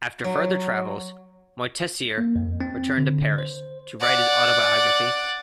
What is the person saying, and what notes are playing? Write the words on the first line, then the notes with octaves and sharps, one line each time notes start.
After further travels, Moitessier returned to Paris to write his autobiography.
F#3
A#3
F2
C4
D3
C5
D5 F#5